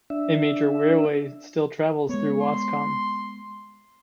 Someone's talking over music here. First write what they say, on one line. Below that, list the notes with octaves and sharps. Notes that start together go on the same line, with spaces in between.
A major railway still travels through Waskom.
D4 E5
G#3 B3 C#5
C6